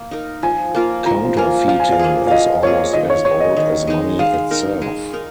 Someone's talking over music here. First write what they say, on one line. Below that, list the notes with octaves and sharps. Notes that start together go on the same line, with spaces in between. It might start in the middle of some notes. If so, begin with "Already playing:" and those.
Counterfeiting is almost as old as money itself.
Already playing: A#3
D#4 A#4
F3 G#5
A#3 F4 A#4
F3 A#5
A#3 F4 A#4 G#5
F3 F5
G#5
F5
A#3 F4 G#4
F5
F3 D#5
A#3 F4 G#4 C#5
D#3 D#5
C#5
G#3 D#4 C#5
D#5
D#3 D#5
G#3 D#4
G#3 F5
D#4 A#4
G#3
D#4 A#4